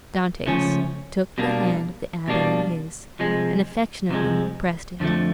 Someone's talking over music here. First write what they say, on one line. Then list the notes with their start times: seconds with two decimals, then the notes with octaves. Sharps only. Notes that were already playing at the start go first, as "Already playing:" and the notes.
Dantes took the hand of the abbe in his, and affectionately pressed it.
0.46 C#2 C#3 F3 A3 C#4
1.38 B2 G3 A#3 D4
2.28 B2 G3 A#3 D4
3.19 C2 C3 F3 G#3
4.09 C2 C3 F3 G#3
5.00 F2 D3 F3 A3